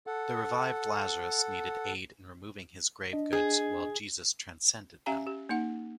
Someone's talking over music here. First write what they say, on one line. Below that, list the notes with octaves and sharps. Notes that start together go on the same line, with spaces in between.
The revived Lazarus needed aid in removing his grave goods while Jesus transcended them.
A4 F#5
D4 D#5
G#4
C#4 G4 E5 F5 G#5 A#5
G4
A#3 D#4 F#5